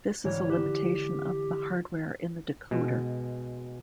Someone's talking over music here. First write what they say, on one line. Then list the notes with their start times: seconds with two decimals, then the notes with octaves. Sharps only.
This is a limitation of the hardware in the decoder.
0.24 G#1 D3 E3 C#5
0.50 G4 F#6 G6 E7
2.71 B2 G#3